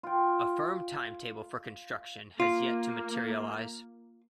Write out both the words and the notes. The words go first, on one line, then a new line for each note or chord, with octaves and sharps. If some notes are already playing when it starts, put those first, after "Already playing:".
A firm timetable for construction has yet to materialize.
F4 G5
A#3 F4